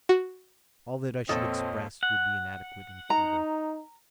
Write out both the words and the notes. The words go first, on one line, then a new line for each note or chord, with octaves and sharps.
All that I should express would be inadequate and feeble.
F#4
F2 A#2 C4 A4 C#5 D#5
F#5
D#4 A#5